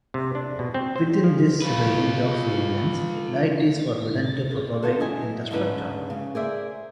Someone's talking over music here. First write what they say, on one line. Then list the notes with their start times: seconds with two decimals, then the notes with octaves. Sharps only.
Within this range of wavelengths, light is "forbidden" to propagate in the structure.
0.14 C3
0.35 D4
0.59 B2
0.74 C4
0.96 C5
1.24 F3
1.62 F4 B4
4.83 D#4 F4 F#4 A4 C5
5.00 F#3 E4 D#5 E5 G#5
5.51 D2 G#2 C#3 D4 D#4 B4
6.10 C#3
6.35 G#4 A#4 C5 D5 E5